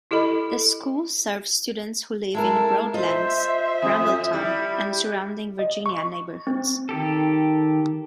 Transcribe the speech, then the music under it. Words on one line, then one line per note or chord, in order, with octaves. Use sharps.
The school serves students who live in Broadlands, Brambleton, and surrounding Virginian neighborhoods.
E4 G4 A4 D#5 B5
G#3 E4 A4 A#4 A5
F4 C5 D#5 E5
F2 D#6
G3 E4
D#5
C#6
C4
D#3 G4 A4